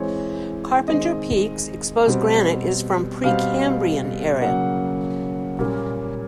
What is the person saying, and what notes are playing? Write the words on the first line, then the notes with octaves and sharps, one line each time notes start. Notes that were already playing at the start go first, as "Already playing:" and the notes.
Carpenter Peak's exposed granite is from Precambrian era.
Already playing: E3 G#3 C4 C#5
D#3 G#3 C4 D#5
B2 G3 C4
B2 G3 C4 F5
C#3 F#3 A#3 F#5
A#2 G3 A#3 C#4